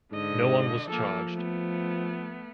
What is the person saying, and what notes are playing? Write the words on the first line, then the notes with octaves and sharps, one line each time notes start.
No one was charged.
G#2 D3 D#5
F3 A#3 A4
A3 B3